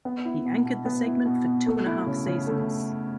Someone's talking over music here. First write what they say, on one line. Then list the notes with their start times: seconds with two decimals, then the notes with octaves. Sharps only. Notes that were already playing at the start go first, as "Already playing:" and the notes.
He anchored the segment for two-and-a-half seasons.
0.05 B3
0.25 E4
0.45 B2
0.65 B2
0.86 B3
1.06 E4
1.25 B2
1.46 B2
1.66 A3
1.86 E4
2.07 C#3
2.26 C#3
2.47 A3